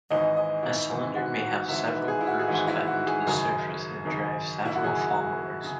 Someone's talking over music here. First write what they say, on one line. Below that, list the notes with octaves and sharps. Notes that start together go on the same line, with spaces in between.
A cylinder may have several grooves cut into the surface and drive several followers.
G#1 G#2 E3 D#5
D#5
E4
G#1 G#2 E3
F#4
F#4
G#1 G#2 E3 E5
B4
G#4
E4
F#4
G#4
G#1 G#2 E3 F#4
E4
F#4
G#4
G#1 F#2 C#3
G#1 F#2 C#3
E4
F#4
G#1 F#2 C#3 G#4
F#4
C#3